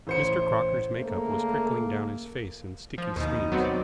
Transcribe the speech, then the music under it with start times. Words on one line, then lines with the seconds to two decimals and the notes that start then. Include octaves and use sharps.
Mr. Crocker's make-up was trickling down his face in sticky streams.
0.07 A1 C5 C#7
0.96 C#3 A3 A#3
2.98 F3
3.16 D#2 B2 D#3
3.52 F#3 B3 C4
3.64 D5